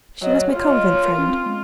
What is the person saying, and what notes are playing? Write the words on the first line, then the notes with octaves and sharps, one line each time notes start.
"She was my convent friend."
F#3 D#5
C#5
F4 C#5
D#5
C#5
A#4
C#4
C4
G#3